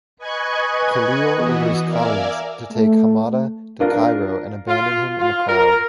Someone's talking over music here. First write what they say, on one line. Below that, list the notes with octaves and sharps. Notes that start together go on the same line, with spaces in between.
Khalil orders Khamis to take Hamada to Cairo and abandon him in the crowd.
B4 D#5 G#5 C#6 F#6 G#6
E3 B3 F#4 D#5
A#4 D5 E5 F5 G#5
A3
D4 F4 A#4
F4
F4
A#4